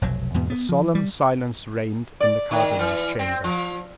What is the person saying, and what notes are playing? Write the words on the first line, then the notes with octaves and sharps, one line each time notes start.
A solemn silence reigned in the cardinal's chamber.
F1 B1 F#3
E2 G#2 B2 B3
B3
F3
G3
D5
D#3
E3
C4
F3